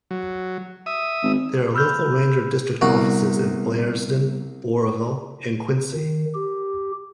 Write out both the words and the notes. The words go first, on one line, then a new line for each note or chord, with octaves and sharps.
There are local ranger district offices in Blairsden, Oroville, and Quincy.
F#3
E5 D#6
G#1
B5 E6 F6 G6
C2 C3 G3 B3 F#4 A#5
D#3
G4